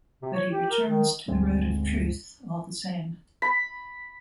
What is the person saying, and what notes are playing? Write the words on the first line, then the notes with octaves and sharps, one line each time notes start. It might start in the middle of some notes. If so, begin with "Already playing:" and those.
But he returns to the road of truth all the same.
C3
C#5
G4
A#4
D#3
G1 D2 G#3 C4
B5